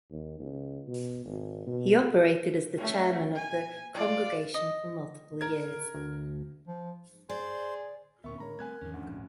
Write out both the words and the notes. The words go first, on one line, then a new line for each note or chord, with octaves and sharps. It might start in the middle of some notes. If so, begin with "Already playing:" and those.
He operated as the chairman of the congregation for multiple years.
D#2
C#2
B2
G#1
B2
A3 C#4
G#5
F4 D5
D#5
A#4 G#6
D2
F3
G#4 C5 D5 C6
D2 A#2 B3 C#4 A#4 E5 C#6
A2 D3 G#3 A#4 C#5 A#5 B5
G3 A3 C4 B4 G#5 F#6 G#6
E2 G#2 D#3 F3 C#4
D2 D4 F#5
A#1 F2 G#2